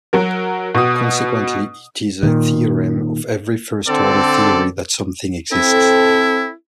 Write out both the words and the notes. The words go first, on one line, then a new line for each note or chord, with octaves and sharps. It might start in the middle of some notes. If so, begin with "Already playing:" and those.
Consequently, it is a theorem of every first-order theory that something exists.
F#3 F#4 A#4
B2 D#6
A#2 D#3
D3 C4 A4 D5
C4 E4 A4